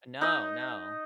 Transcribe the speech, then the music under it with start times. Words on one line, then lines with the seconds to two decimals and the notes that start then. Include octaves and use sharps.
No, no.
0.21 D#4 D#5